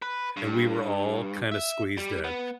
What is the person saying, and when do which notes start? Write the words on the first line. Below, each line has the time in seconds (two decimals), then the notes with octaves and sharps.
and we were all, kinda squeezed in,
0.02 B4
0.37 G2
1.52 E5
1.97 G3
2.24 B3